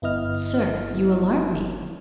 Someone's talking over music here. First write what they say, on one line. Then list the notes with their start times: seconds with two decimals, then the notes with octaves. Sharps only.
"Sir, you alarm me."
0.02 G1 B3 E4 D#5 F6